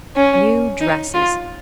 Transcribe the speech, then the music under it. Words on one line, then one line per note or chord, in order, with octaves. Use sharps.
New dresses!
C#4
D#4
F4